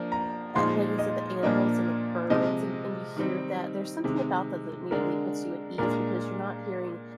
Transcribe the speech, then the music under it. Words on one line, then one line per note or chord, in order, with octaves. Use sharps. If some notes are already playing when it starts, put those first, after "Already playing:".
eh, like you said, the animals, and the birds, and and you hear that, there's something about that that immediately puts you at ease because you're not hearing
Already playing: F3 A#3 D4
A#5
A#2 F3 G#3 D#4 C6
D#5
A#2 F3 A#3 D4 D#5
C3 F3 G#3 D#5
D#3 G3 C4 D#4
C3 D#3 G#3
D3 G#3 D4 A#4
A#2 G#3 D4 A#4